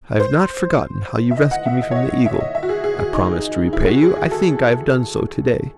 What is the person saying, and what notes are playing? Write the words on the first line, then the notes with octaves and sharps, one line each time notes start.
"I have not forgotten how you rescued me from the eagle; I promised to repay you, I think I have done so to-day."
C5
E5
D#5
F#5
E5
D#5
C#5
D#5
E5
D#5
E5
F#4
G#4
G#4
G#4
D#4
E4
G#4
F#4
G#4
G#4
A4